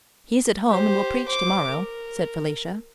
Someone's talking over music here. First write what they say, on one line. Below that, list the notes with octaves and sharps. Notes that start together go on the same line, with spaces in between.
"He is at home and will preach tomorrow," said Felicia.
G4 C5
C5 D6
A#4